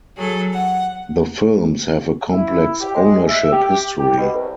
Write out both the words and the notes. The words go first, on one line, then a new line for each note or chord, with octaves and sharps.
The films have a complex ownership history.
F#3 G#4 A4
F#5
E4
G4
G#3
E5
G4
G4
B2
C2